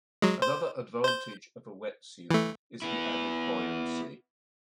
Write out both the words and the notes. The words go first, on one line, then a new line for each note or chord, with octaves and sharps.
Another advantage of a wetsuit is the added buoyancy.
F#3 G#3
C5
C5 G6
E3 A3
B3 E4